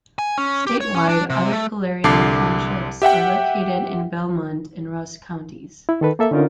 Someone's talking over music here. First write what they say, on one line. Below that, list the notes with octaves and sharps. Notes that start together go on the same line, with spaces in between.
Statewide, other Colerain Townships are located in Belmont and Ross counties.
G#5
C#4
G4
C#5
C#4
D4
C3
A3
C2 D3 A5 D6 C7
G4 E5 F#5 G5
E4
D#3 A4 B4
A#3 A4 E5
D3 C#4 D#4 F4 A#4